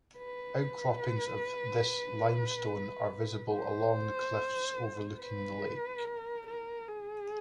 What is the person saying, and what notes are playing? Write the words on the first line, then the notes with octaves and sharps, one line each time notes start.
Outcroppings of this limestone are visible along the cliffs overlooking the lake.
B4
C5
B4
A#4
A#4
G#4